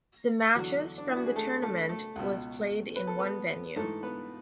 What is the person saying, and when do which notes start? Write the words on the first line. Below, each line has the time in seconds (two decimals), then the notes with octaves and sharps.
The matches from the tournament was played in one venue.
0.55 E2 D3 F#3 F#4
0.98 D4
1.08 E4
1.17 F#4
1.26 G#4
1.36 A3 A4
1.63 A3 A4
1.89 A3 A4
2.16 C#2 B2
2.96 B4
3.07 A4
3.19 B3 B4
3.76 G#2 E3 A3 A4
4.03 B3 B4